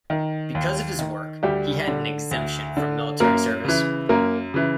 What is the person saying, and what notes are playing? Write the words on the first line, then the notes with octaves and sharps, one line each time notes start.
Because of his work, he had an exemption from military service.
D#3
D#2
D#3
D2 G3 G4
D3
D2
D3
F#2 A#3 A#4
C#3 E3
F#2 A#3 A#4
C#3 E3